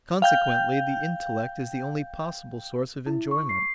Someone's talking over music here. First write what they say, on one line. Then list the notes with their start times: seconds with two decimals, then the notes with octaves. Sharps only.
Consequently the intellect is the only possible source of enjoyment.
0.22 F5 G5 G6
3.06 E4
3.31 C#6
3.49 C7